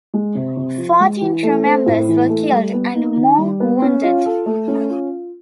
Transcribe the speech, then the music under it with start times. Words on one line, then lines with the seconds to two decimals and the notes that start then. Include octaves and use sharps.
Fourteen crew members were killed and more wounded.
0.14 G#3
0.35 C3
0.57 C3
0.77 F3
1.00 G#3
1.21 E3
1.43 A3
1.64 C4
1.86 A2
2.08 E3
2.29 A3
2.51 G3
2.73 B3
2.95 D#4
3.16 D#3
3.38 G3
3.60 B3
3.82 C#4
4.03 F4
4.25 A4
4.46 A3
4.68 C#4
4.90 F4